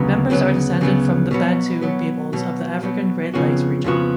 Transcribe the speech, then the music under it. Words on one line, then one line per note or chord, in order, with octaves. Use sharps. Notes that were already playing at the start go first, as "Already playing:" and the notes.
Members are descended from the Bantu peoples of the African Great Lakes region.
Already playing: D2 C#3 F#3 B3
D2 C#3 F#3 B3
D2 C#3 F#3 B3
B2 F#3 B3
B2 F#3 B3
B2 F#3 B3
B2 F#3 B3
F2 C#3 F3 B3 F#4
F2 C#3 F3 B3 F#4